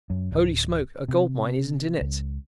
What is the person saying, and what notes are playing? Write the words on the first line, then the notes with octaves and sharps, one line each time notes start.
Holy smoke, a gold mine isn't in it!
F#2
D1
C3
C#2